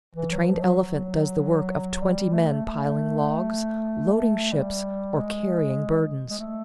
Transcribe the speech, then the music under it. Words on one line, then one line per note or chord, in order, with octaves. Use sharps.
The trained elephant does the work of twenty men piling logs, loading ships, or carrying burdens.
E3
F#3
F3
F#3
F#3
G3
A3
A3
G3
G#3
G#3
A3